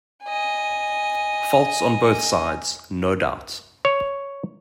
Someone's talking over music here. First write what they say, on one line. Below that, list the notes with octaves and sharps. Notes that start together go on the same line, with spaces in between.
Faults on both sides, no doubt.
D#5 G#5
C#5